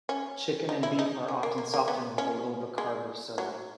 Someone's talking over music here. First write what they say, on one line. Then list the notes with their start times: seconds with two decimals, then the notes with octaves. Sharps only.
Chicken and beef are often softened with a little bicarb of soda.
0.09 C#4
0.69 D#4
0.83 E4
0.99 D#4
1.28 C#4
1.43 A#3
1.58 A#3
1.74 A#3
1.88 B3
2.18 C#4
2.78 G#3
3.38 F#3